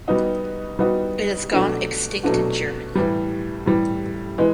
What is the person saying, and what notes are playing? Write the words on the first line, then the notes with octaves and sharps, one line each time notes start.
It has gone extinct in Germany.
G3 B3 D#4 F#4
G3 B3 D#4 F#4
B2 F#3 A3 D4 F#4
B2 F#3 A3 D4 F#4
A2 E3 G3
A2 E3 G3
E3 G#3